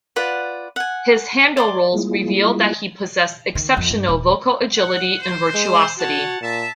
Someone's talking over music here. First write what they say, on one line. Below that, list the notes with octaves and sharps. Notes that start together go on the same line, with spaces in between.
His Handel roles reveal that he possessed exceptional vocal agility and virtuosity.
F4 B4 D5 F#5
F#5 G#5
D5 C6 D6
G3 G#3 A#3 E4 F4 G#4
D#3
F2
G2
D#1
F#5
C5
G#3
F#4 C#5 F#5 A5
A#2 E5 A5